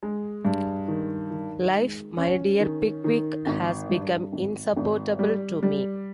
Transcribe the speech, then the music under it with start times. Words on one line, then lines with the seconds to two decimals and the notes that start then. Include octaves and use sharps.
Life, my dear Pickwick, has become insupportable to me.
0.03 G#3
0.45 G2
0.88 D#3
1.31 D#3
1.74 G#3
2.17 C#4
2.60 D#3
3.04 D#3
3.47 G#1
3.90 G2
4.33 G#1
4.77 G#1
5.19 G3
5.63 G3